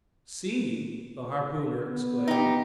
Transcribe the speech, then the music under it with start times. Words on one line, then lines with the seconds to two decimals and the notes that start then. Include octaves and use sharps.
"See!" the harpooner exclaimed.
1.85 B3
2.28 D#4 G4